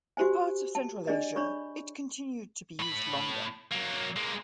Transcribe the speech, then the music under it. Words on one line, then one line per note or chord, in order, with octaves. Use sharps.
In parts of Central Asia, it continued to be used longer.
F#4 G4 C5 G#5
A5
D4 G#4 D5 D#5
D4 C#5 D5 B5 C#6
A2 B5
F#3 A#3
G#3 A#3